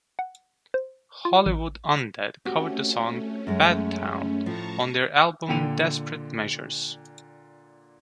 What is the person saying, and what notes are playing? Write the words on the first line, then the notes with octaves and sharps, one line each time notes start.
Hollywood Undead covered the song "Bad Town" on their album Desperate Measures.
F#5
C5
F4
A1
A3 C4 C#4 F#4 G4
F#2 G#3
A2 F3 A5 A#5 C#6
A#2 D3 G5 C#7 D#7 F7